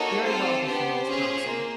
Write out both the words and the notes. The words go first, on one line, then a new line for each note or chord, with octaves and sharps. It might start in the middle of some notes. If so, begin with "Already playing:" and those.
"Very well," continued Miss Thompson.
Already playing: A#3 D#4 F#4 A4 C#5
C4 F4 A4 C5
B3 D4 G4 C5
C#4 F4 G#4
A#3 C5